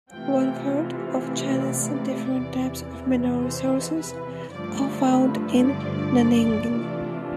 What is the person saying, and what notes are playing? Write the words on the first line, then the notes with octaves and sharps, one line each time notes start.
One third of China's different types of mineral resources are found in Nanning.
C3 E3 A3 C4 F4 G5
D5
E2 C3 E3
C5
B4
G2 D3 F3 A3 D5
B4
D5
C3 E3 A3 D4 F4